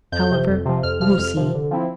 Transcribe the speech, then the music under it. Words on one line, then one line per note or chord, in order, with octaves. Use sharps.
However, we'll see.
F2 G6
C3 F3
F2
C3 F3
F2 F6
C3 F3 F6
F2
C3 F3
D3
F3 C4 E4